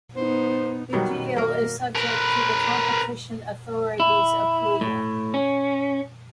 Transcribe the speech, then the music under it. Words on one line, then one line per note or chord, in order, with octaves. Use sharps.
The deal is subject to the Competition Authority's approval.
B3 D#4 C5
B2 D#3 F#3 G3
A#3 A#4
A#4 B4
E4
A2
C#4